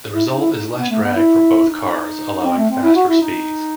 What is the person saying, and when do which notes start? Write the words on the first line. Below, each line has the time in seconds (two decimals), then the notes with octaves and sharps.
The result is less drag for both cars, allowing faster speeds.
0.14 E4
0.26 D#4
0.39 E4
0.52 D#4
0.65 D#4
0.78 B3
0.91 A3
1.03 B3
1.16 E4
1.68 D#4
2.45 C4
2.57 A3
2.70 C4
2.83 E4
2.95 F#4
3.09 E4
3.21 D#4